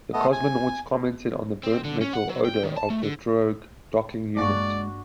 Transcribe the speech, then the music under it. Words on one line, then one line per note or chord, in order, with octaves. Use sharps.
The cosmonauts commented on the burnt-metal odor of the drogue docking unit.
A3 B3 D#5
G#5
C4
D3
C#4
F#5
F#3
G5
D#3
A5
A3
D3
G2 G#3 A#3 D4 F#4 D5 F5